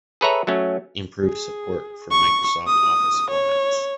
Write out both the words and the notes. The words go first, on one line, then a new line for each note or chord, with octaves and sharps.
Improved support for Microsoft Office formats.
G#4 A4 B4 C#5 E5 A#5
F#3 A3 C#4
G#4
C#6
D#6
C#5